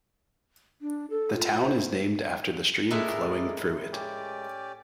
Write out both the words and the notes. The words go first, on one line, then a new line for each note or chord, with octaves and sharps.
The town is named after the stream flowing through it.
D4
A4
F4
C5
A2 G#3 E4 G#4 A#4 B4 D5 E5
C#4 G4 D5